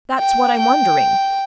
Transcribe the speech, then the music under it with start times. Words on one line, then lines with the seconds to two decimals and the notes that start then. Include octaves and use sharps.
That's what I'm wondering.
0.19 G5
0.58 G5